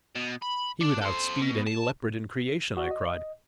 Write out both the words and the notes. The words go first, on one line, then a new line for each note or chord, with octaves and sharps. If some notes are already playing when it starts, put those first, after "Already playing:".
"He would outspeed any leopard in creation!" I cried.
B2
B5
D4
A4 C5
B2
A5
F#4 D5
D#5